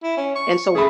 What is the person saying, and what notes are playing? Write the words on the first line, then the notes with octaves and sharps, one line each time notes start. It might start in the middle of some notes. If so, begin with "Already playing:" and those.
And, so
E4
C#4
C#6
A3 G#4 A4 B5